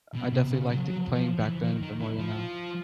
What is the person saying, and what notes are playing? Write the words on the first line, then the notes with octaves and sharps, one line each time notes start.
I definitely liked it playing back then a bit more than now.
B2
C3
C#3
F#3
F#3
F3
E3
D#3
D#3
E3
F3